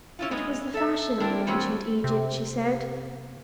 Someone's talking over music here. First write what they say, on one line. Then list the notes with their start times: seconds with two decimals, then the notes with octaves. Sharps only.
"It was the fashion in ancient Egypt," she said.
0.19 C#4 E4 F4
0.31 G#3 B3 C#4 D#4
0.74 A4 E5
1.20 C4 D4 E4 A#4
1.47 E3 F#3 G3 C4 C#4 F#4
2.04 C3